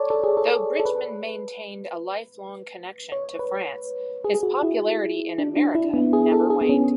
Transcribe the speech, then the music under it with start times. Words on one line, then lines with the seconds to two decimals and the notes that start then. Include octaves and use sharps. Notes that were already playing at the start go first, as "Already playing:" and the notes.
Though Bridgman maintained a lifelong connection to France, his popularity in America never waned.
Already playing: A4 C#5 D5
0.10 A4
0.24 G#4
0.37 A4
0.80 A4
0.85 B4
3.12 C#5
3.39 B4
4.24 G#4
4.35 G#4
4.43 F#4
4.63 E4
5.38 D4
5.56 D4
5.75 E4
5.94 B3
6.13 G#4
6.32 A4
6.50 G#4
6.61 B3
6.69 C#4